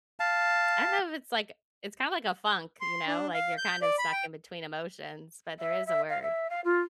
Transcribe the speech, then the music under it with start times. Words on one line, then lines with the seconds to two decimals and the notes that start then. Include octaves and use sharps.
I don't know if it's like it's kinda like a funk, you know? Like, you're kind of stuck in between emotions, but there is a word.
0.20 F5 A5
2.81 C6
3.07 D4
3.34 F5
3.58 G6
3.82 D5
3.98 B5
4.12 G5
5.59 E5
5.86 E5
6.09 F5
6.22 E5
6.50 F5
6.64 F4